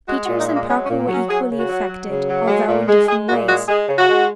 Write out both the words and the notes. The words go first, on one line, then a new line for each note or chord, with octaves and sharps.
Peters and Parker were equally affected, although in different ways.
G#3 F#4
F#4
A#2
D#4
G#3
A#3
F#3 C#4
C#4
A#2
A#3
F#3 C#4
F#3 G#4
C#3
F#4
F#3
F#3
C#3
F#3
G#3
A#2
G#3
G#3 G#4
A#2 F#4
G#3 F#4
G#3 G#4
C#3
F#4
G#3